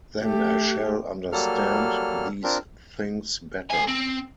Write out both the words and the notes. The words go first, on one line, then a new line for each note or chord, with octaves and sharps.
Then I shall understand these things better.
A3 G4
F#3 G3 A#3 A4 F6
C4 D4 F4 A#4
A4 G#5
C4